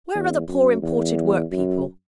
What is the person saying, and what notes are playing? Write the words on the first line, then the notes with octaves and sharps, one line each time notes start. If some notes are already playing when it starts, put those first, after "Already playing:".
'Where are the poor imported work-people?
E2
F#2
E2
F#2